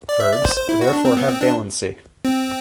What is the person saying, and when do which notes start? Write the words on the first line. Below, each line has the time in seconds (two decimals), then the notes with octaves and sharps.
Verbs therefore have valency.
0.09 D5
0.20 E5
0.33 D5
0.44 C5
0.57 C5
0.69 E4
0.81 F#4
0.93 D4
1.05 C4
1.17 B3
1.28 C4
1.41 D4
2.25 C4